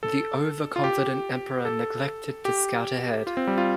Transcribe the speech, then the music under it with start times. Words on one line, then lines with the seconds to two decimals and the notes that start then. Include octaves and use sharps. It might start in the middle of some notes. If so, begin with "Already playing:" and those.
The overconfident Emperor neglected to scout ahead.
0.03 A4
0.76 F4
0.84 G4
1.65 A4
2.45 G4
3.27 F4
3.37 C4
3.47 G3
3.58 F4